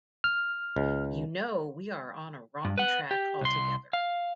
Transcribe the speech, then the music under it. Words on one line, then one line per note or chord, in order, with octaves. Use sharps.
You know we are on a wrong track altogether.
F6
C#2
G2
B4 F#5
G4
C2 C6
F5